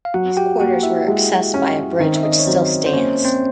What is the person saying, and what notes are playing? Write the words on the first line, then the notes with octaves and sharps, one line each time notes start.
These quarters were accessed by a bridge which still stands.
F5
F#3 F#4 F#5
G4 G5
A#3 F#4 F#5
E4 E5
G#3
C#4
D#3 C4 C5
E5
D#5
D5
C#5
F#3 C4 C5
C5
A#3 C#4 C#5
C4 C5